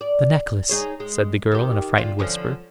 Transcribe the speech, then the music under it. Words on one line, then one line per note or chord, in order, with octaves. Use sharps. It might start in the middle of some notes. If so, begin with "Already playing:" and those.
"The necklace," said the girl, in a frightened whisper.
D5
D#4 G#4 C#5
G#3
D#3 G4
D3 F4
D3 F3 C#4